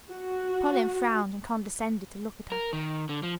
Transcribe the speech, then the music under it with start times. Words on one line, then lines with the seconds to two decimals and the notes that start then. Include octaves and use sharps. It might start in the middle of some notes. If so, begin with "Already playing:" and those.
Colin frowned and condescended to look at her.
0.11 F#4
2.52 A#4
2.73 D#3
3.09 D3
3.23 F3